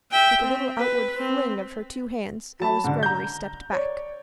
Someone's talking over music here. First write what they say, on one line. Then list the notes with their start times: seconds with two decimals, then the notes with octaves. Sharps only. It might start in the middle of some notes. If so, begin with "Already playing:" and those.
With a little outward fling of her two hands Alice Greggory stepped back.
0.12 E5 G5
0.42 C4
0.78 B4
1.17 C4
2.60 F#3 A5 B5
2.84 G#2 D3
3.03 A#5 G6
3.73 C#5 D5